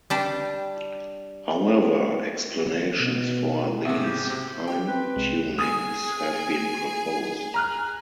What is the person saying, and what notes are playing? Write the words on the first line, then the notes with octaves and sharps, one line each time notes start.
However, explanations for these fine-tunings have been proposed.
G3 D4
B2
G#1 C3 F#4 G#4 E5
G4
C3
G4 G5
C4 B4
C2 G#3
G#4 G#5 D#6
A#5 F6 F#6